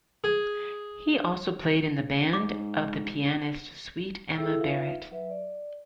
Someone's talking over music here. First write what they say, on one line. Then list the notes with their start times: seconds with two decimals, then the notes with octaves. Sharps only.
He also played in the band of the pianist Sweet Emma Barrett.
0.24 G#4
2.33 G#2 D6
4.36 E4 G#4 A4 E5 G5 E6
4.60 D#4 F4 B4 E5 F5
5.11 F#3 B4 E5
5.30 D5